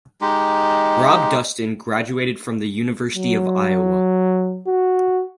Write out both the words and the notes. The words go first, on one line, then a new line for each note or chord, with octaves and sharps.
Rob Dustin graduated from the University of Iowa.
G#3 D#4 G4
F#3
F#4